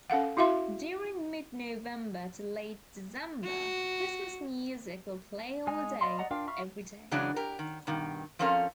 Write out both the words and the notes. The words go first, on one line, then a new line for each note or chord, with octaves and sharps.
During mid-November to Late-December, Christmas music will play all day every day.
C#4 A4 F5 F#5
E4 F#4 E5 F5 C6
F#4
G#3 D#4 G#5
D5 D#5 F5 B5 C6
D5 D#5 F#5 A#5
D4 F4 A#4 F5 G5
E5 F5 B5 C#6 F6
C#3 E3 F#3 G#3 D4
G4 A#4
D#3
G2 B2 D#3
F3 C4 C#4 A4 A#4 F5